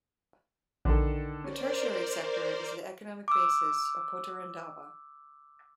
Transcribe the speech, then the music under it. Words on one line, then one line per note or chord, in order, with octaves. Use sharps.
The Tertiary sector is the economic basis of Potirendaba.
A#1 D3 D#3 A4
C#4 A#4 C5 D5
D6 E6